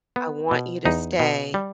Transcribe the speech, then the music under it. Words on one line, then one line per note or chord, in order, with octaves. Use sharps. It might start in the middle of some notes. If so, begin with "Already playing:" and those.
I want you to stay.
B3
B2
E2 D#4
B2
G3